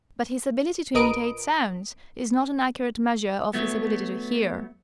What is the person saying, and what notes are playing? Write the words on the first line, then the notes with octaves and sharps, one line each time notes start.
But his ability to imitate sounds is not an accurate measure of his ability to hear.
A#1 A#4 B4 D#5 D#6 D7
F#3 A3 B3